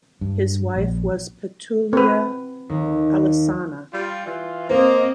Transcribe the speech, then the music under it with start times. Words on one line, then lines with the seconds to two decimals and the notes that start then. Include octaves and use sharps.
His wife was Pitolua Alesana.
0.21 G2
0.76 A#1
1.93 C4 B4
2.69 D#2
3.93 G3 F4
4.26 E3 F4
4.70 A#3 C4 C5 D#5